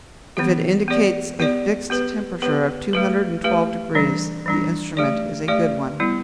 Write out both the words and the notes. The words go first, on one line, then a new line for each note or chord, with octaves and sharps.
If it indicates a fixed temperature of two hundred and twelve degrees, the instrument is a good one.
E3 B3 G4
B3 G4 D5
B3 G4 D5
B3 G4 B4
B3 G4 B4
A3 G4 B4
A3 G4 B4
E3 G3 D4
E3 G3 D4
A3 G4 D5
A3 G4 D5
G3 B3 E4